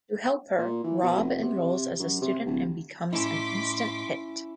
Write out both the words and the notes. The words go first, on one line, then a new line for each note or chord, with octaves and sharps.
To help her, Rob enrolls as a student and becomes an instant hit.
A#2
E3
B2
F1
C3
F#2
C3
D1
A2 C#4 D#4 E4 C6 D6 B6